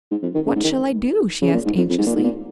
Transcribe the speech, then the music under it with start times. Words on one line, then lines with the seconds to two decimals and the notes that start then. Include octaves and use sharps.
"What shall I do?" she asked anxiously.
0.11 G#2
0.22 F2
0.35 D#3
0.46 C#3
0.55 G#2
0.64 D#3
1.42 C#3
1.53 A#2
1.66 G#2
1.77 F2
1.89 F2
1.98 G#2
2.06 A#2
2.16 G#2
2.24 A#2